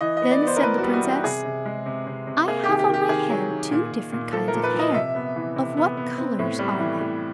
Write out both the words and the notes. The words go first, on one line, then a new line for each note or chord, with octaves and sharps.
Then said the Princess, 'I have on my head two different kinds of hair. Of what colours are they?'
E3 D#5
D#5
B3
D5
B3
C5
A#4
E3 B4
F#4
G3
F#4
E3
G4
C3 G#4
C3
G#3
C3
C3
C3
A#3 G#4
D#3 G4
G4
D#3 G4
D#3 G#4
F#3
D#3
A#2
A#2
A#2
F3 A4
A#4
A#2
B4
F3
D#5
C3 E5
B3
E3
C3
B3
B3
C4
A2
G3
E3
A2